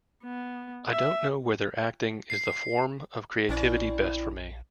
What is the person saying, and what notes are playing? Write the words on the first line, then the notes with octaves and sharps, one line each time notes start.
I don't know whether acting is the form of creativity best for me.
B3
E5
C7
A#1 C4 C#4 E4 D5